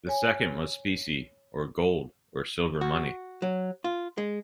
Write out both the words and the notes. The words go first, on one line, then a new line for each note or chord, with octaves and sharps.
The second was specie, or gold or silver money.
C#5 G#5
F#4
F#3
F4
G#3